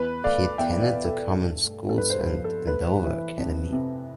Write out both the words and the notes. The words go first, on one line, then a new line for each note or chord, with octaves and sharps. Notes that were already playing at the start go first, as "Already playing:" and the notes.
He attended the common schools and Andover Academy.
Already playing: E2 B4
A3 D5 F5
E2 E5 G5
D5 F5
B2
A4
G2
A3
A4
G2 B4
C5
B4
F3
A4
A3 B4
E3
F2
C3